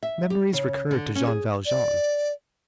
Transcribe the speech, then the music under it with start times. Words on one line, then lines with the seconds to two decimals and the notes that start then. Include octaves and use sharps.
Memories recurred to Jean Valjean.
0.03 E5
0.30 G4
0.53 C#3
0.91 D3
1.15 C#4
1.27 G#4
1.66 D5